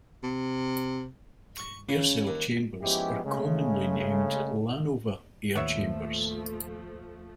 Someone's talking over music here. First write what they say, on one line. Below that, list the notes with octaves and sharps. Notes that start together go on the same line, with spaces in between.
Air cell chambers are commonly named Lanova air chambers.
C3
C#6
C#3
D#2
F3 G#3 B3 C#4 E4 G4
C#3 G#3 A3
D#2 A2 D#3 F3 A3 B3 C#5 E5